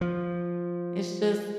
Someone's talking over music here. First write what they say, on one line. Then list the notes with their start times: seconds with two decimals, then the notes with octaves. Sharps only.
It's just
0.01 F3